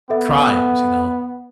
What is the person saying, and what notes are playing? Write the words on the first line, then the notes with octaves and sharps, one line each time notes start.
crimes, you know,
B3 A4 E5